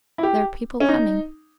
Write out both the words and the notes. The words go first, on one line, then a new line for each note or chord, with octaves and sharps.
There are people coming....
E4
G4
C#4
D#4